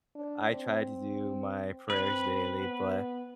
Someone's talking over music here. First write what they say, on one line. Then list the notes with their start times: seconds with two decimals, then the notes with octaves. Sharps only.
I try to do my prayers daily, but,
0.15 D4
0.50 C4
1.90 C4 B4
2.60 B3